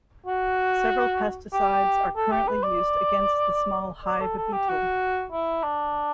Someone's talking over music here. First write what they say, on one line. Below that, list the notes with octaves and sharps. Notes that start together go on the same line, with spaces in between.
Several pesticides are currently used against the small hive beetle.
F#4
G4
A4
G4
B4
D5
D5
A4
A4
G4
F#4
E4
D4